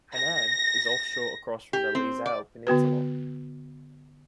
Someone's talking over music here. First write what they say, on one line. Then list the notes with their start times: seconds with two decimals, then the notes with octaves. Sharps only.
Hainan is offshore across from the Leizhou Peninsula.
0.15 A#6
1.73 G4
1.95 C4
2.26 D5
2.67 D3 B3 F#4 B4